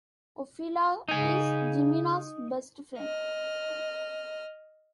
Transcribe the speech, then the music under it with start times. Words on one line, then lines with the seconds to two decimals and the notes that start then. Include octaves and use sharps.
Ofelia is Jimena's best friend.
1.08 C#3 D#4 G#5
2.97 D#5 F6